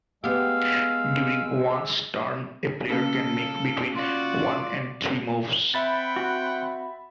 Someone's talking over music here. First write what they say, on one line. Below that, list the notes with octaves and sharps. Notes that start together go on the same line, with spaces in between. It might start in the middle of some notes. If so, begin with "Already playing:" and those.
During one's turn, a player can make between one and three moves.
G#3 B3 G4 F5 E6
C#3 A#3 A4
F4 F#4 D5
C4 E5 F#5 G5 B5 A6
F#4